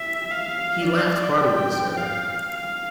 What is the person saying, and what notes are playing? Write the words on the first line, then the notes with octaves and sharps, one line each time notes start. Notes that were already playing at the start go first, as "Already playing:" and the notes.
He laughed heartily, sir.
Already playing: E5
F5
D5
G5
F5
F5